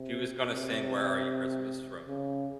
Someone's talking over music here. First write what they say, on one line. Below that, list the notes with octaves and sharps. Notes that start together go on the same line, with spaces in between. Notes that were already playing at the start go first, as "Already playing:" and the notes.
She was gonna sing Where Are You Christmas from
Already playing: C3
C3
C#3